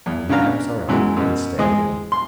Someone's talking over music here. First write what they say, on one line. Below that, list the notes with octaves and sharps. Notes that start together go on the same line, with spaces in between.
When the lamps are out men stay in.
E2
C#3 B3 D4 F5 A#5
F#2 E3 F#3 G#3
F#2 B2
E3 G#3 C4 G#4 D#5
C6